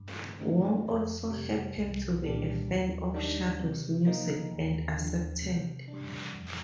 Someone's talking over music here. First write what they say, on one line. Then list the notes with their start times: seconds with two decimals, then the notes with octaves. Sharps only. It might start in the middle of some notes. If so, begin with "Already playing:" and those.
Wong also happened to be a fan of Shadow's music and accepted.
Already playing: G2
0.39 D3 A3 C4 D#4
0.85 F2
1.30 C3 G3
1.76 C2
2.23 A#2 G3 D4
2.68 D#2
3.14 D#3 G3 D4
3.60 C3
4.05 F3 A#3 D#4
4.51 D#2
4.97 D3 F3
5.42 C3
5.88 D4
5.93 G3
6.34 F2